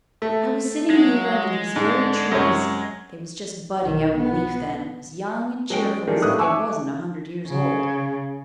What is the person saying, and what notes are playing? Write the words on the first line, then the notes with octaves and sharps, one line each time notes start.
I was sitting here under these very trees--they was just budding out in leaf then, as young and cheerful as if they wasn't a hundred years old.
A3
F#3 G#3
G#2 D3
F#2 C3 C#5
B1 D#3
B3
F#3 G#3 C#4 G5 D7
D#3 G3 A3 D4 G#4
G1 A2 A#3 B4 D#6 F#6
E5 G#5 C#6 D6 E6
C#3